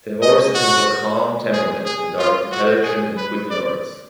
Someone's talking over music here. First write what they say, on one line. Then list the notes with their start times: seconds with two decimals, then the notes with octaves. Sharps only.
The horses have a calm temperament, and are intelligent and quick learners.
0.22 D#5
0.55 F#4
1.53 G#4
1.85 G#4
2.19 F4
2.52 F#4
2.84 G#4
3.17 B4
3.50 D5